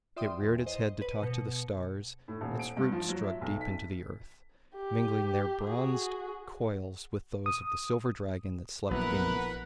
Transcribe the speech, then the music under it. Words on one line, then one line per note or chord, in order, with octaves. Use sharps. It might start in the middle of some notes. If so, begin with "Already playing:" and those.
It reared its head to talk to the stars; its roots struck deep into the earth, mingling their bronzed coils with those of the silver dragon that slept beneath.
F4 D5 E5 G5 C6 D#6
E2 B2
C5 D#5
B4 D#7
B2 C#7
A2
D#1
D7
G2
F3
F#3
E5
B1
B6
G4
F#4 G#4
D#6
A#1 F#3 B3 E4 A#4 B4 F#5 B5